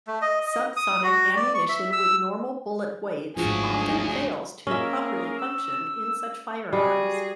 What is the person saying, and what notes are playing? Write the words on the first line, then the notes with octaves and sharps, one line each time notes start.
Subsonic ammunition with normal bullet weights often fails to properly function in such firearms.
A3
D#5
D#5
D#6
F#4
D5
C#6
E5
E6
G#1 D2 G#2 F3 F#3 F#4 G#4
A#3 C#4 G#4 A#4 E5
E6
G3 F#4 G#4